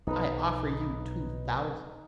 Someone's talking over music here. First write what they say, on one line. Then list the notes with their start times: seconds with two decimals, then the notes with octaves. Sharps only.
"I offer you two thousand."
0.07 B1 D#4 B4 A#5